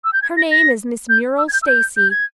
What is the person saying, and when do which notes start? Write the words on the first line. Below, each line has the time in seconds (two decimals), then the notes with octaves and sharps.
Her name is Miss Muriel Stacy.
0.04 E6
0.13 G6
0.22 G#6
0.37 A#6
0.51 A#6
1.09 G6
1.38 E6
1.48 G#6
1.53 G6
1.62 E6
1.67 G6
1.97 G6
2.11 G#6